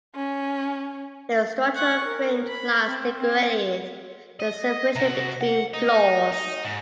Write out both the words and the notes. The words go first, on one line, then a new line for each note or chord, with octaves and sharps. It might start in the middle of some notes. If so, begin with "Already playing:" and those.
Their structural framed lines decorated the separation between floors.
C#4
F#5 C#6
A#4
B5
C4
C4
D#5
C3 F#4
F#5
D#4
D#4
G#2